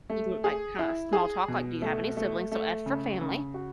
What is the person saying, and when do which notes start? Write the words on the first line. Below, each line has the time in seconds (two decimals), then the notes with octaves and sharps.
You can, like, kinda small talk, like, "Do you have any siblings?" So, F for family.
0.10 A3
0.44 G#4
0.79 E4
1.13 G#4
1.48 B2
1.82 A3
2.17 A3
2.52 A3
2.86 C#3
3.21 C#3
3.54 F#4